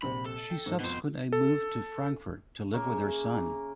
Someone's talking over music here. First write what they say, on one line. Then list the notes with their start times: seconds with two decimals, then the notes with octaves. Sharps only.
She subsequently moved to Frankfurt to live with her son.
0.02 A#1 C3 C5 B5
0.26 A4
0.50 G5
0.66 G#2
0.80 F2 B2 B3 C5
1.33 A4
2.74 C#3 A#3 E5 C#6